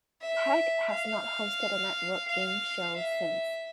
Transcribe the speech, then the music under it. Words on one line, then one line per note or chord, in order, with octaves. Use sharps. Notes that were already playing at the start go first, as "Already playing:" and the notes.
Peck has not hosted a network game show since.
E5
F5
F5
E5